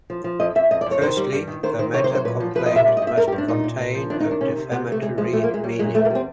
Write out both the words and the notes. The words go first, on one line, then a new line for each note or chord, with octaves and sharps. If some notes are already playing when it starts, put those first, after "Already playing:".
Firstly, the matter complained must contain a defamatory meaning.
F3
F3
F2 D#5
F2 E5
F2 D#5
D5
F2 C#5
D#3 C5
G3
G2
D#3
D#3 C5
D#3 C5
C3 C#5
C5
F#3
C5
A#2 B4
F3
F3 B4
D#5
A#2 E5
G3 D5
D#5
G2
E5
G2 A#4
G4
G2
D4
A#2 D#4
A#2
A#2
F3
D#3 D4
D#4
D#3
D4
C3 C#4
C3
C3 B3
C3
A3
E2 G#3
F3 G#3
A#2 A3
A#3
A#2
G#3
F#3 G3
A#2 G#3
E2 A3
A#3
G3 C4